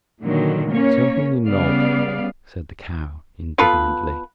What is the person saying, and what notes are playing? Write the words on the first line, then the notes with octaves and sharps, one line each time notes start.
"Certainly not," said the Cow, indignantly.
A#2 D3 D#3 F#3
A#3 C#4 C#5
C#3 G3 B3 D5 F5
B3 F4 A4 B4